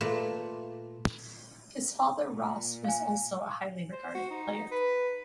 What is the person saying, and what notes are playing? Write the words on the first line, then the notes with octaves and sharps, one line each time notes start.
His father Ross was also a highly regarded player.
A#2 A3 B4
A#2
F5 G#5
C5
F#4
D#4
B4